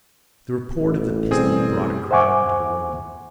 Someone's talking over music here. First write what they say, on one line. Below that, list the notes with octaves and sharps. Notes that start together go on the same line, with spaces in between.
The report of the pistol brought a crowd into the room.
A1
B2 G3 C4 G#4
C5 E5 F#5 G#5 C#6 D6